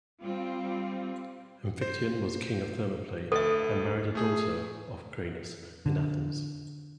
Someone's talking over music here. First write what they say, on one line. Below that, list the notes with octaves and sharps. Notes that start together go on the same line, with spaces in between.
Amphictyon was king of Thermopylae and married a daughter of Cranaus of Athens.
G3 C4 F4
C5
D2 A4 E5
A3 G#4
D3